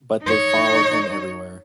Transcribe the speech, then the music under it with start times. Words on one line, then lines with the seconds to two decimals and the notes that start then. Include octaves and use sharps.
But they followed him everywhere.
0.23 D#4 C#5